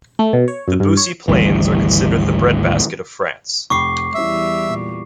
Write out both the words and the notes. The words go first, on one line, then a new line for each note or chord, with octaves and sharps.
The Beauce plains are considered the breadbasket of France.
A3
B2
C#5
F#2
G2
C#5
G#1 D2 E3 G3
F1 G5 B5 C#6 D6 C7
E2 G3 C#4 E4 E5
A#2